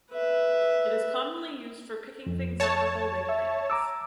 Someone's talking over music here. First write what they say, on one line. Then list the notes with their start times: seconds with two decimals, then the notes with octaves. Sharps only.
It is commonly used for picking things up or holding things.
0.10 B4 E5
2.26 F2
2.60 C#5 A5
3.29 E5
3.70 A#5 D6 E6